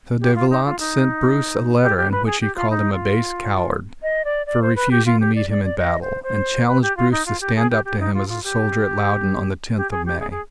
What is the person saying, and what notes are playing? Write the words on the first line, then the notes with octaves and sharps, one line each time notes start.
So De Valence sent Bruce a letter in which he called him a base coward for refusing to meet him in battle, and challenged Bruce to stand up to him as a soldier at Loudon on the tenth of May.
G4
F4
D#4
F4
D#4
G4
G4
B4
G#4
G4
F4
D#4
F4
D#5
D5
D5
C5
B4
G4
F4
G4
D5
D5
D5
D#5
C5
C5
B4
G4
F4
D#4
F4
G4
G#4
G4
G4
D#4
F4
F4
G4
G4
G#4
G4
G#4
G#4